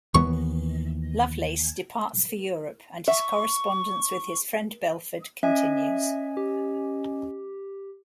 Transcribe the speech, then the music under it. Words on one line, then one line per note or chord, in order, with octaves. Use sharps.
Lovelace departs for Europe and his correspondence with his friend Belford continues.
D#2 E3 B3 C#6
E5 C#6
C#4 D#5 E5 G#5
G4